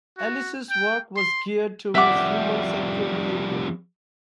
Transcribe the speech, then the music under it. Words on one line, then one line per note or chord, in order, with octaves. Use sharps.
Ellis's work was geared towards human sexual behavior.
F#4
G5
C6
F2 G3 E5 F#5 D6